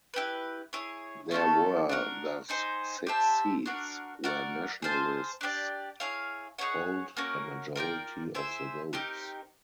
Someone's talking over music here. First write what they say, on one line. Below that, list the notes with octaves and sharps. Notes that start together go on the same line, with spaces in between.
There were thus six seats where nationalists polled a majority of the votes.
E4 G4 B4
E4 G#4 C#5
A3 C#4 F4 A4
D4 F#4 A#4
C4 D#4 G#4 C5
G4 C5 E5 A5
D4 F#4 A#4
F#4 A#4 D5 F#5
G#4 C5 F5 A5
D4 G4 A#4 D5
E4 G#4 C#5 F5
D#4 G#4 C#5 F#5
A#3 C#4 F#4 A#4
F4 A#4 D5 G5
E4 G#4 C5 E5
C4 D#4 G4 A#4